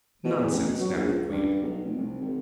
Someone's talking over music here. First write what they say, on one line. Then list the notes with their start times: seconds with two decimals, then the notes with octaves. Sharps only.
'Nonsense!' snapped the queen.
0.25 B2
0.37 E2
0.52 A1
0.67 B2
0.80 F#3
0.95 A#1
1.07 C#2
1.31 G2
1.63 B1
1.85 F1
1.97 C2
2.21 G#1